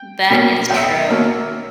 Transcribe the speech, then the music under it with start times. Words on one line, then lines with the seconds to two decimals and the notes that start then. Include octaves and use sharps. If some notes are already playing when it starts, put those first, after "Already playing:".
That is true,
Already playing: G5
0.30 B2 A#3 C#4
0.70 B1 G5
0.77 E5
0.84 D#5
0.91 E5
1.08 B2 A#3 C#4